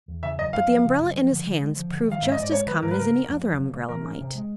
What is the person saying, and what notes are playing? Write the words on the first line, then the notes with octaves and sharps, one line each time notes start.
But the umbrella, in his hands, proved just as common as any other umbrella might.
E2
C#3 E5
F#2 D#5
F#2 F5
F3
C#3
F#2
F3
D3
D3
G#3
F3
D3
D#3
F5
G#2 E5
G#2 D#5
D5
G#3 C#5
D#3 B4
G#2 A#4
B4
C#3 A#4
A3
F2
F#3
C#3
A3
E3 A#4
C#4
C3
G#3